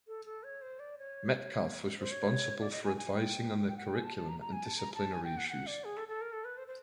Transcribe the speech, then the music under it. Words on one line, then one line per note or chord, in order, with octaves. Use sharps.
Metcalfe was responsible for advising on the curriculum and disciplinary issues.
A4
A4
C#5
C5
D5
C#5
C5
C#5
D5
D#5
G#5
G#5
G5
G5
F#5
G5
G#5
A5
A5
A#5
A#5
G#5
A5
A#5
A5
G#5
G5
F#5
F#5
D5
G#4
A4
A4
A#4
A4
B4
C5
C5